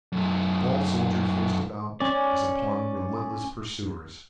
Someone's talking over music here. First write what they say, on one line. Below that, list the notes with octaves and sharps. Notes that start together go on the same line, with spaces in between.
The tall soldier faced about as upon relentless pursuers.
F#2 A3
C#4 D5